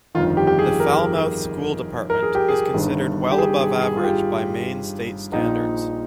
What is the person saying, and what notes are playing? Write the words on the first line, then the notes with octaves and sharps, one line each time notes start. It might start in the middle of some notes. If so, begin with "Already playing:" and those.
The Falmouth School Department is considered well above average by Maine state standards.
G1 F2 D#3 F4
G4
G4
G#4
A#4
A#4
G#4
G4
G#4
G1 G2 D#3
G4
G#4
G#4
G#4
F4
G4
A#1 A#2 F3 D#4